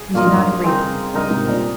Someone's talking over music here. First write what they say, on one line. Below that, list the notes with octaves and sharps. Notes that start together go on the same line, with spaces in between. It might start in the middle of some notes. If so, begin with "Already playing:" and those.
We did not agree upon the point.
Already playing: G#4
G2 A#2 A#3 F4 A#4 D#5
F2 G#2
G2
G2
G#3 C4 D#4
G2 D#4 A#4 D#5
G#2 C3
G2 A#2